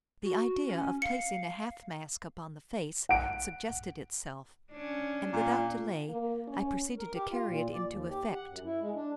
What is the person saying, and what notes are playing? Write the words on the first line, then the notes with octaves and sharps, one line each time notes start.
The idea of placing a half-mask upon the face suggested itself, and without delay I proceeded to carry it into effect.
F#4
C#4
F5 C#7
F#5 D7
C#4 D4
A#2
A#3
C#4
A#4
G4
F4
A#2
D5
D#2
G4
F#5
F#2
E4
G#3
D4